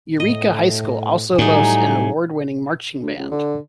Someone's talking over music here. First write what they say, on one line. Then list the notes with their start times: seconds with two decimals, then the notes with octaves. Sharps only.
Eureka High school also boasts an award-winning marching band.
0.20 A2 D#5
1.38 A2 F#3 G3 D#4 G#5
3.02 D2
3.19 C#2
3.31 D3